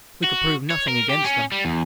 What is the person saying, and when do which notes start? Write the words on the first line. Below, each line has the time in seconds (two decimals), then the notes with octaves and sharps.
We could prove nothing against them.
0.24 F#4
0.71 C#5
0.88 A#4
1.09 G4
1.24 C#4
1.52 G3
1.65 E2